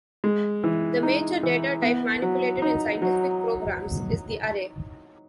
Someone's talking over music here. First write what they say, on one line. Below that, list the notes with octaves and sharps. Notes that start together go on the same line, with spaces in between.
The major data type manipulated in scientific programs is the array.
G#3
E3
D#4
E3
B3
F#3
D#4
F#3